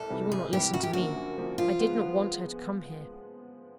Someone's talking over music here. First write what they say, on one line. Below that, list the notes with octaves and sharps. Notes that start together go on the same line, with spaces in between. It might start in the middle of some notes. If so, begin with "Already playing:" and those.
She will not listen to me: I did not want her to come here.
Already playing: C2 A4
C3 E3 G3
C2 G#4
C3 E3 G3 G4
F#2 F#4
G4
D3 F3 A#3 F#4
F#2
D3 F3 A#3
F3 F4
G#3 B3
F3